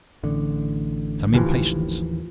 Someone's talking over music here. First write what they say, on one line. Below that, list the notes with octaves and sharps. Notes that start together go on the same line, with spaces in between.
Some impatience.
A1 D3
D#2 E3 F3